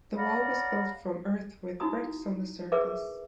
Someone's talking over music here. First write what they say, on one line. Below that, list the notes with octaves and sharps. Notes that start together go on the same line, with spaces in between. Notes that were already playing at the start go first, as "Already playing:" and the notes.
The wall was built from earth with bricks on the surface.
C#5 D5 F5 F#5 A#5 B5
D#4 E4 F#4 A#5 D#6
G#4 A#4 B4 E5 D6